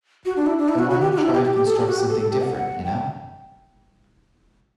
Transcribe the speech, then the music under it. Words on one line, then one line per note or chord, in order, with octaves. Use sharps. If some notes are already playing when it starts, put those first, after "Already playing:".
And not try to construct something different, you know?
F#4
D4
E4
D4
E4
F#4
F#4
G4
F#4
D4
E4
G4
G4
G4
A4
G4
F#4
G4
A4
A4
G4
F#5
F#5
G5